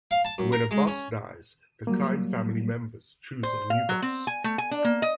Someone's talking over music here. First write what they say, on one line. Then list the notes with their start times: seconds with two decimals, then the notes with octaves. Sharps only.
When a boss dies the crime family members choose a new boss.
0.11 F5
0.25 A5
0.38 F#2
0.52 A#4
0.71 G#3
0.87 C#4
1.87 F#3 G3 A#3
3.43 C5
3.70 F5
3.89 F#3
4.02 C4
4.27 G#5
4.44 A3
4.58 G#5
4.71 D4
4.84 A#3
5.02 D#5